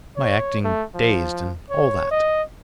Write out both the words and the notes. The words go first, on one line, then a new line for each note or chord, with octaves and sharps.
"My acting dazed and all that?"
C#5
A3
F3
C#5
D#5